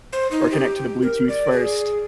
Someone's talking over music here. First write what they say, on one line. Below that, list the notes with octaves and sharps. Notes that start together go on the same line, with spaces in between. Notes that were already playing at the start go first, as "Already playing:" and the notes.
or connect to the Bluetooth first,
C5
D#4
G4
A#4
D5
G#4